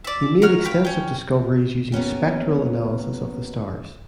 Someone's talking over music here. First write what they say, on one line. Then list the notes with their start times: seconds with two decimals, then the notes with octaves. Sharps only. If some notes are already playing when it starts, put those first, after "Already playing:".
He made extensive discoveries using spectral analysis of the stars.
0.04 D5 E5
0.42 A#4 C#5 F#5 F6
0.65 F5 G5 B5
0.85 C#4 G5
1.92 A#3 B3 C#4 G4